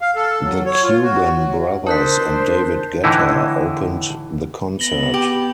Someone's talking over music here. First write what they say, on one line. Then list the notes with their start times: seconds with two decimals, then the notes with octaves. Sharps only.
The Cuban Brothers and David Guetta opened the concert.
0.01 F5
0.16 A4
0.43 F#3
0.66 C#5
0.83 F4
1.03 F#4
1.35 F#3
1.87 D4 A#4 C5 A5 F#6 B6
3.04 A2 D3 E3 D#4 E4
4.79 B3 A#6 F#7 G7
5.14 G4